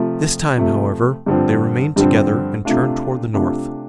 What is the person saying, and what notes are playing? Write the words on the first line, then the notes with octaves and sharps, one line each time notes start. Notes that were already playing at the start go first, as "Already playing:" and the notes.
This time, however, they remained together and turned toward the north.
Already playing: C3 F3 A3
C3 F3 A3
G2 D3 F3 C4
G2 D3 F3 C4
C3 A3 D4 F4
C3 A3 D4 F4